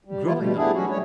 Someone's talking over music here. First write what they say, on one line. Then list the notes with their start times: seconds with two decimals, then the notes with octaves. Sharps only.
growing up
0.05 G3
0.24 E3 F3 E4 F4
0.38 B2 G3 A3
0.56 G3 A3 B3 D4 E4 G#4
0.73 F#3 C#4 F#4
0.89 G3 A3 C#5